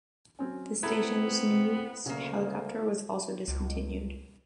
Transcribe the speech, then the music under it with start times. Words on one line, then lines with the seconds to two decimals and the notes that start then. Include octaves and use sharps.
The station's news helicopter was also discontinued.
0.39 F#3 C4 C#4
0.83 B3 C4 E4 A4 A#5 B5 G#6
2.06 D2 C#3 F#3 A#3
3.48 C#2